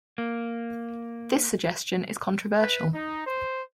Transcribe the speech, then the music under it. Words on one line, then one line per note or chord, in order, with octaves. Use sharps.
This suggestion is controversial.
A#3
B4
D#4
C5